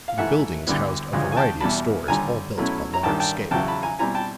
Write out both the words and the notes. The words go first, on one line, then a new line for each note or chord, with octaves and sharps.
The buildings housed a variety of stores, all built on a large scale.
F5
G#2 E3 A3 E5 F#5
D2 D3 G3 B3 E4
D2 C#3 F3 G#3 C#4
G#5
G5 A5
E2 B2 G3 A5 B5
D#2 D3 G3 G#5 A#5
B2 F#3 A3 C#4 E4
A#5
A1 G2 D#3 G3 G5 A5
G5 A5
E2 C#3 F#3 G5 A5
A5 B5
G#5 A#5
B2 G3 C4 E4 G#5 A#5
G5 A5